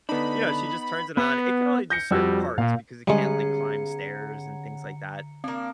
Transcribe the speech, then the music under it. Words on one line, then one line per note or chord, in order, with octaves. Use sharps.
you know, she just turns it on. It can only do certain parts because it can't, like, climb stairs and things like that,
D3 B3 D4 D#4 B5
B3 B4
G6 A#6 C#7
F2 G3 F#4 E6
A#2 F5
D3 G3 G#3 B3 C#4 G#4 A#5 C#7
A#3 C4 D4